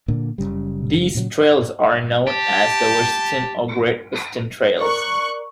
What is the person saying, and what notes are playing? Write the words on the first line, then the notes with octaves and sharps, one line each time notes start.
These trails are known as the Western or Great Western trails.
A#2 D3 A#3
F#1 C#3 G3
A#2 C#3 E3 F#3
G4 A5
A#4 D5 C#6 F#6